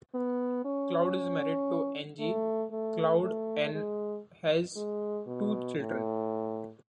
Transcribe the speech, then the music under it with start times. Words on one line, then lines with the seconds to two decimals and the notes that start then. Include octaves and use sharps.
Cloud is married to Angie Cloud and has two children.
0.14 B3
0.65 C#4
2.19 A3
2.71 A3
3.22 A3
3.73 G#3
4.76 G#3
5.27 B2
5.78 A2